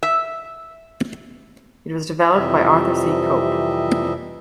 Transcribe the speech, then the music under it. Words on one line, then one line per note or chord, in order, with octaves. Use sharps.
It was developed by Arthur C. Cope.
E5
F2 C3 E3 G3 D#5 E5